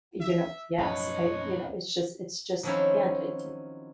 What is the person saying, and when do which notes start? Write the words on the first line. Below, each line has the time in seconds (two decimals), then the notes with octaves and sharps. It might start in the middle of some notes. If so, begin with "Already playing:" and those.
you know yes, I you know, it's just it's just, and eh, j
0.21 E5
0.78 B1 F#2 A2 F3 B4 C#5 D#5
2.63 D#3 F3 F#3 C4 C#4 E4